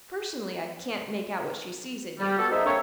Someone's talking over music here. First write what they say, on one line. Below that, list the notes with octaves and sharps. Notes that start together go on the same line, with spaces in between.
Personally, I can't make out what she sees in you.
G3
B3 F#4 A4
A#3 D#4 G#4 C5 E5
A3 A#3 C4 D4 C#5